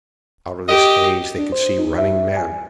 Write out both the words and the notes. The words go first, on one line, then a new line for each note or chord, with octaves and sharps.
Out of this haze they could see running men.
G4 D#5
D4
C5
D#4
E5
G#5